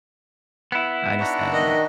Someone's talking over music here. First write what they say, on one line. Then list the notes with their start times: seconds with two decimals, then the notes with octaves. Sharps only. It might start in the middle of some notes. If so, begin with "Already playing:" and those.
I understand that.
0.72 B3 E4
1.20 D4 D#4 F#4
1.53 D#3 D#5